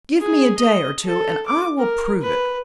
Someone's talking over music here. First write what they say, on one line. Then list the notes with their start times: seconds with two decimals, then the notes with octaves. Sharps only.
Give me a day or two and I will prove it.
0.20 G#4
0.57 D#5
1.04 A4
1.46 D6
1.79 A#4
2.21 B4